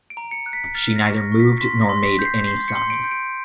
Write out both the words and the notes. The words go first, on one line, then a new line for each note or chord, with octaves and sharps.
She neither moved nor made any sign.
D7
A#5
C#7
F#6
B6
F6 A6
A#6
C#6
A#6
C#6
B6
C6 B6
A#6
C6
B6
G6
C7
C6 C7
C#7
C6
D7
G6
D7